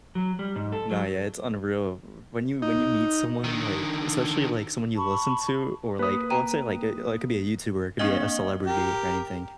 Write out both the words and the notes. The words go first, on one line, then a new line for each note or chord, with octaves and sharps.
Nah, yeah, it's unreal, w when you when you meet someone, like especially, like, someone you listen to, or, like, let's say, like, eh, like could be a YouTuber, it could be a celebrity or anything.
F#3
G3
G#2
A4
F#3
D#4
D3 D#3
A5 B5 C#6
A#3 B4 D#6
G5 A#5 D#7
A#3 C4 D4 D#5 G7
G4 A#4